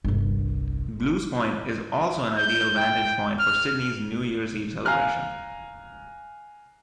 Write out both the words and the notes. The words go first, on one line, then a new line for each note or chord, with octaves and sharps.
Blues Point is also an ideal vantage point for Sydney's New Years Eve celebration.
G1 C2
G6
G5
F6
F5 G#5 A#5 F6 F#6